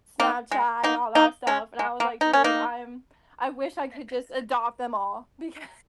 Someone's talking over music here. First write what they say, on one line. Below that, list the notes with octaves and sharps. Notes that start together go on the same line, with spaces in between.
Snapchat and all that stuff, and I was like, dude, I'm, I wish I could just adopt them all because,
A#3 D#4
G#3
A#3 D#4
A#3 D#4
G#3 C#4
G#3
A#3
D#4
C#4
A#3 D#4